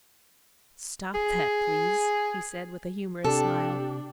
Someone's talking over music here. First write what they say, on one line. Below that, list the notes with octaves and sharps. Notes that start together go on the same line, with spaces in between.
"Stop that, please," he said, with a humourous smile.
G#4
C3 D4 G4 A4